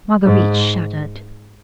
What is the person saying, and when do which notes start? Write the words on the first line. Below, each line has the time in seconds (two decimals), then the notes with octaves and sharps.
Marguerite shuddered.
0.25 G#2